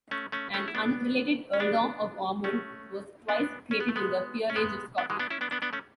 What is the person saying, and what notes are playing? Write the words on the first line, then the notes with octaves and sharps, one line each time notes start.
An unrelated Earldom of Ormonde was twice created in the Peerage of Scotland.
A3 C#4
A3 C#4
A3 C#4
E4
B3 D4
C#4
B3 D4
A3 C#4
B3 D4
C#4
B3
A3
G#3 B3
C#4
G#3 B3
B3 D4
E3 G#3
B3 D4
C#4 E4
B3 D4
B3 D4
B3 D4
A3 C#4